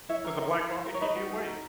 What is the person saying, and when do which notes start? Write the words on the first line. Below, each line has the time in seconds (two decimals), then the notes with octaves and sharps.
Does the black coffee keep you awake?
0.09 E4 C#5 E5
0.24 A#4
0.40 A#4
0.54 E4
0.70 E4
0.86 A#4
0.94 C#5
1.00 D#4 B4 D#5
1.16 F#4
1.31 D#4
1.47 A#4